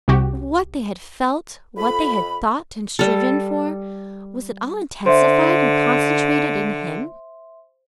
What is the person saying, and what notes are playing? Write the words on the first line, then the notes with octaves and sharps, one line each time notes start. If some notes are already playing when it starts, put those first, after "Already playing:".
What they had felt--what they had thought and striven for--was it all intensified and concentrated in him?
C2 C3 F#4 G4
F2 B5
G3 A4
D3 C5 E5 C6